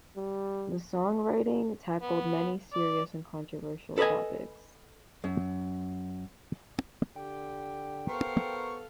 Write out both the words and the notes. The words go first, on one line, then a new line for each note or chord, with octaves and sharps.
The songwriting tackled many serious and controversial topics.
G3
B3
D5
A4 B4 D5 D#5 G#5
F#2
D3 G4 G5
B3 A4 A#4 C5 F5 C#6